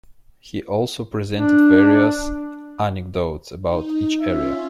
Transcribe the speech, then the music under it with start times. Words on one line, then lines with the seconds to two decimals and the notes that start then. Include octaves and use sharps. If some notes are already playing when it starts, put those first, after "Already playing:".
He also presented various anecdotes about each area.
1.32 D4
3.63 D#4
4.21 C#4 F4 E5